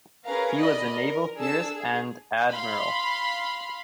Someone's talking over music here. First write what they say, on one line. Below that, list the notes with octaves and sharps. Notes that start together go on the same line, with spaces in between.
He was a naval theorist and admiral.
C#4 G#4 A#4 B4 F5 A#5
D5 D#5 B5
A#4
D4 G#4 A4 A5 E6
G#4
F5 B5 C6